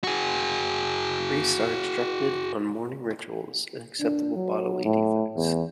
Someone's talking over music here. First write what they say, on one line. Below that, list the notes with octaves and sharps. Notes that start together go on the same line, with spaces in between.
Priests are instructed on mourning rituals and acceptable bodily defects.
F#4 G#4
D4
F#3
A2
E2